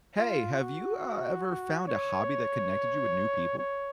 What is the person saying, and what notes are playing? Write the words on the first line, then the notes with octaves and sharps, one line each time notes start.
Hey, have you, uh, ever found a hobby that connected you with new people?
F4
F#4
C#5
C#5